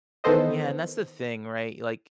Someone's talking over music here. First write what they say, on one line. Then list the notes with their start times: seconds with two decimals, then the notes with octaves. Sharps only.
Yeah, and that's the thing, right? Like,
0.24 D#3 E3 B3 A4 C5 D#5